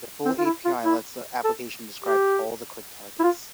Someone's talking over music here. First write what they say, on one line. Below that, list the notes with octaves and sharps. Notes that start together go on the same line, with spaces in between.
The full API lets the application describe all the click targets.
C4
F4
E4
F4
E4
A4
G4
E4
F4